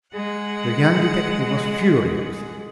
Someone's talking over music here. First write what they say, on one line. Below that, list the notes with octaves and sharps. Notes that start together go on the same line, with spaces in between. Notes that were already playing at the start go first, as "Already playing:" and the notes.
The young detective was furious.
G#3 G#4 F#5